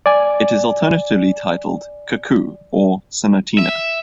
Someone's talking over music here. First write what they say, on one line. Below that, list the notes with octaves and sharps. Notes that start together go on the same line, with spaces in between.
It is alternatively titled "Cuckoo" or "Sonatina".
D5 G#5
E5